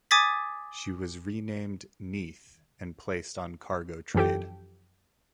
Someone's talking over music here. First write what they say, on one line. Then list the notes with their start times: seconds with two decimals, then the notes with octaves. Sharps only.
She was renamed "Neath" and placed on cargo trade.
0.11 G#5 D6 D#6 G#6 A6 B6
4.15 F#2 E3 F3 G4 A4 G5